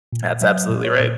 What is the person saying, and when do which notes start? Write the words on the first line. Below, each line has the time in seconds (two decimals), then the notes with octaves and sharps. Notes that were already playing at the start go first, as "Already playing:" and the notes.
That's absolutely right.
0.13 A#2
0.41 F#3 E5
0.70 A#2
0.84 C#5
1.00 A#2